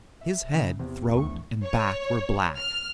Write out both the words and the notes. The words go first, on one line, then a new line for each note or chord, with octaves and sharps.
His head, throat and back were black.
E5
C#3
E2 C3
D2 A2 C#6
C#5
F6